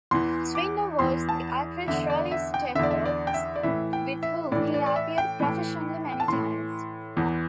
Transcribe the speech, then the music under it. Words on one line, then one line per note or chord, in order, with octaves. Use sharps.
His widow was the actress Shirley Stelfox, with whom he appeared professionally many times.
E2 E3 C6
D6
E2 E3 C6
A5
E2 D3 E5
D5
E5
G5
E2 D3 D5 E5
E5
D5
G5
E5
D5
A2 E3 E5
G5
E5
A2 E3 D5
D5
D5
E5
G5
A2 E3
G5
A5
A2 E3 C6
E2 E3